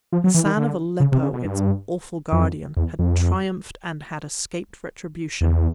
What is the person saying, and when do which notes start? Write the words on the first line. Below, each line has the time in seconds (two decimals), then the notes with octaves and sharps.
Hassan of Aleppo, its awful guardian, had triumphed and had escaped retribution.
0.12 F3
0.24 F#3
0.34 E3
0.46 D#3
0.57 D3
1.00 C#3
1.12 C3
1.22 C#3
1.34 B2
1.44 G2
2.32 F2
2.77 E2
2.99 F2
5.41 E2